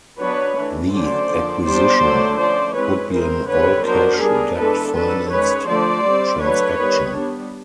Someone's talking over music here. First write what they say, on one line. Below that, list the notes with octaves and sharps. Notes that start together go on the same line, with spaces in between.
The acquisition would be an all-cash, debt-financed transaction.
F#3 B3 D4 B4 C#5
E3 A3 D4
D3 F#3 A3 C#4 C5 D5
D3 F3 A#3
G3 B3 D4 C5 D5
D3 F#3 A3
F3 A3 C#4 C5 D5
E3 G#3 C4 B4 C#5
E3 G#3 C4 A#4 C5
D3 G3 C4 B4 C#5
F#3 B3 D4 A#4 C5
G3 B3 D4 G#4 A#4
E3 G#3 B3 D4 A4 B4
F#3 B3 D4 A4 B4
D#3 G#3 C#4 B4 C#5
D3 F3 A3 C5 D5
G3 C4
F#3 A3 D4 B4 C#5
D#3 G3 B3
G3 B3 D4